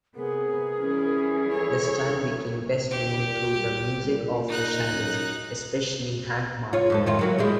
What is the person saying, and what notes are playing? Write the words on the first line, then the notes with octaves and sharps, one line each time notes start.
The style became best known through the music of the Shadows, especially Hank Marvin.
C3 B3 G#4 A#4
E3 G3 C#4
A4 C#5
D#2 G4
A#2
G3
A#2
D#4 F#6
F#2
F4 C#5
F2 G#2 A4
D#3 E4 F4
F#3 A#3 F#4
G3 G#3 E4